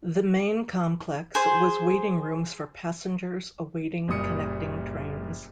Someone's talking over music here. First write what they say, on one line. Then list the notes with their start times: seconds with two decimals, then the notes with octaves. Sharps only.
The main complex has waiting rooms for passengers awaiting connecting trains.
1.35 G#4 C5
4.08 F#1 A#2 G3 D#6 C#7